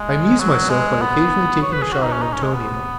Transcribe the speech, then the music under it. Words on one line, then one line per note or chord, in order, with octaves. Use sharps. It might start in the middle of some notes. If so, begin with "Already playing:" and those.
I amused myself by occasionally taking a shot at Antonio.
Already playing: G#3
F#3
G#3
B3
C#5
B4
G#4
F#4
D#4
C#4
D#4
C#4
G#3
B3